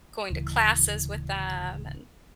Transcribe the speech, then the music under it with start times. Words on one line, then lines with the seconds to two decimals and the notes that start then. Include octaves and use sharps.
going to classes with them. And,
0.30 D1 D2 C#3 E3